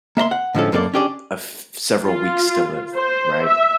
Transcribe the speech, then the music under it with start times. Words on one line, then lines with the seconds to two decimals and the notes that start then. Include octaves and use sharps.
a th several weeks still live, right?
0.17 A#3 E5 A#5 C6
0.31 F#5
0.55 A2 D3 F3 G#3 C#4 A4
0.72 F#2 A#3 D4 F#4 A4 D5
0.94 C#4 D4 G4 G#4 D5
2.03 F4
2.94 C5
3.46 E5